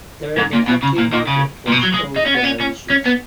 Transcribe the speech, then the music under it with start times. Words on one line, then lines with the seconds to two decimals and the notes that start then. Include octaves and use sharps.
There is an active market for its old, rare issues.
0.38 G#2
0.53 A#2
0.68 B2
0.83 C#3
0.98 A#2
1.13 A#2
1.27 C#3
1.68 A#2
1.72 B2
1.83 F#3
1.94 G#3
2.16 D#4
2.26 C#4
2.35 B3
2.44 C#4
2.61 C#4
2.90 C#4
3.05 B3